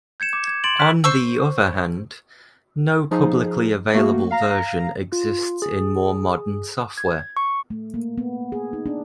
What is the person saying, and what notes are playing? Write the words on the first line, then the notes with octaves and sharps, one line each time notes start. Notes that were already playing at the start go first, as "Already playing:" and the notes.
On the other hand, no publicly available version exists in more modern software.
G6 G#6 C#7 E7
D6
G#6
C6 A6 D7 F#7
F6 F#6 B6 F#7
C5 C#6 E6
F3 D#4 G#4
A3 A#3 F#4
F5 A#5 A#6
F4
G#4
G#6
C#6
A3
A#3
B3
G#4
D#4
D4